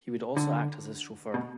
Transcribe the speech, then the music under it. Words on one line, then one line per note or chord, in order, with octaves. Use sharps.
He would also act as his chauffeur.
D3
B2